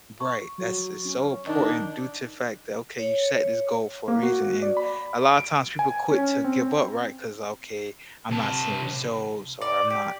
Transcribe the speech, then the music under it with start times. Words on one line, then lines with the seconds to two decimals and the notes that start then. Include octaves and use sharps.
Right, that's it's so important due to fact that, okay, you set this goal for a reason, and a lotta times people quit to give up, right? 'Cause, "Okay, I'm not seeing results or I'm not
0.20 C#6
0.58 F#3
1.05 C#4
1.47 D#3 D4 D#4 G6
2.99 C#5
4.08 A#3
4.23 F#4
4.62 D5
4.77 B5
5.37 D7
5.79 G#5
6.12 C#4
6.44 C4
8.30 C3 A5
9.61 D5
9.90 G4